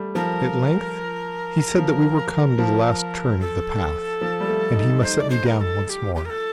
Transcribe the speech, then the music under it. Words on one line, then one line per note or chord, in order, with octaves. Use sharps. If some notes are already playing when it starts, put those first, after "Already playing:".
At length he said that we were come to the last turn of the path, and he must set me down once more.
Already playing: G3 A3
F3 A#4
F3
F3
A4
F3
G3
A3
D#4
D#4 C5
D5
C5
A#4
A#4
A4
A4
G4
G4
A#4
A4